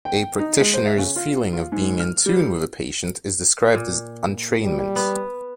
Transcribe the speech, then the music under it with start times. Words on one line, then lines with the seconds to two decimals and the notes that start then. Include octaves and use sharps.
A practitioner's feeling of being in tune with a patient is described as "entrainment".
0.05 G5
0.39 D#4
0.60 G#3
0.74 C5
0.86 E5
0.98 C#3
1.16 F4
1.53 F4
1.72 G#2
2.00 F6
2.26 G3
3.75 A#2
4.65 G3
4.96 B3